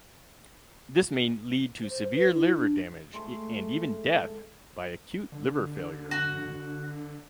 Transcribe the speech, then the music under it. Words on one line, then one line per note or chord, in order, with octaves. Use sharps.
This may lead to severe liver damage and even death by acute liver failure.
C5
B4
E4
D4
G#3 A3 C6
D3
F#4